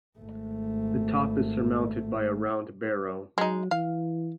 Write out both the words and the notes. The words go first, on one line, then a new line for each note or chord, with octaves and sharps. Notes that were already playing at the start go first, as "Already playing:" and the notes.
The top is surmounted by a round barrow.
G#1 A3
F#3 G#3 D#4
E3 F5